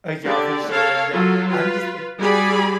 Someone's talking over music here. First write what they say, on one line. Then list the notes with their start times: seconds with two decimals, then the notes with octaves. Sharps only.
Uh, yeah, for sure. Yeah, I'm just li
0.23 D3 G4 D5
0.69 A4 A#4 C#5 F5 A5
1.12 F#3 F4 A4
1.49 F4 B4
2.18 G3 F#4 G#4 D5 G#5 B5